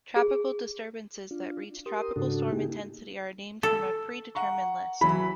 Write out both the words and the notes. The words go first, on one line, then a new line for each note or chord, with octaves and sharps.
Tropical disturbances that reach tropical storm intensity are named from a pre-determined list.
G#4
D4 F4
G4 A#4 C6 D#6
G#2 C#3 D4 F#4 A4
A#3 D#4 E4 G4 G#4
A4
F#5 A#5 C#6
E3 F#3 B5